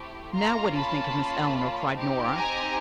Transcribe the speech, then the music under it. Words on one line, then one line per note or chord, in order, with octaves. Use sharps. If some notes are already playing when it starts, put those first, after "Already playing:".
"Now, what do you think of Miss Eleanor?" cried Nora.
Already playing: A3 C4 E4 G4
A#3 C#4 F4 A#5 C6
A5 B5
C4 D#4 G4
G#5 A#5